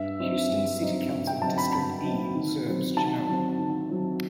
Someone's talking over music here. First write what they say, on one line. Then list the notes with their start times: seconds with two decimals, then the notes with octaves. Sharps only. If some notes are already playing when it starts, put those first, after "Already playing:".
Houston City Council District E serves Genoa.
Already playing: G2 E5
0.19 F#3 C4 D#4
0.49 G2
0.81 F#3 C4 D#4
1.11 G2
1.27 G5
1.42 F#3 C4 D#4 A5
1.58 B5
1.73 G2 B5
2.04 F#3 C4 D#4
2.35 D#3
2.66 F#3 C4
2.96 D#3 A5
3.28 F#3 C4
3.58 D#3
3.90 F#3 C4